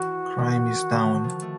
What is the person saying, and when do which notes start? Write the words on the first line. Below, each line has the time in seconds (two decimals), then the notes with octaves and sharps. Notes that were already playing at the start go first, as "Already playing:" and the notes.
Crime is down.
Already playing: E3 F#4
0.39 D#3
0.91 D3
1.07 D#3
1.24 F3
1.42 A3